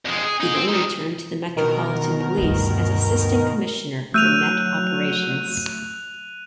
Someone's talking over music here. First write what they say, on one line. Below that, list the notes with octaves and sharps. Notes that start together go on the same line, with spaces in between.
He then returned to the Metropolitan Police as Assistant Commissioner for Met Operations.
F2 G#3
G#4
D#4 G#4
C4
G3 D#4
B2 D#3 A#4
D2 G2
F#3 A3 E6 F#6 G6 D#7 F7